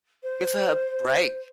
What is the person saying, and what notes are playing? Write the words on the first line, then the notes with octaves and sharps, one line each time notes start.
Give her a break!
C5